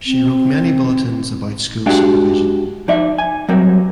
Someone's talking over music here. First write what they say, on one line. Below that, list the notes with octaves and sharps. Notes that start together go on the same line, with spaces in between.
She wrote many bulletins about school supervision.
C4
G#3 D4 F#4 G4 F5 G5
F3 D#4 D5 E5
G#5
F#3 G3 C4 A#4